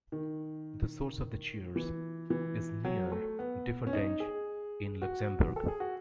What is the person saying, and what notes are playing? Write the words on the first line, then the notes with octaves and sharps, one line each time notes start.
The source of the Chiers is near Differdange, in Luxembourg.
D#3
E3
E3
F#3
A3
B3
C#4
D#4
G#4
F#4
A4
G#4
F#4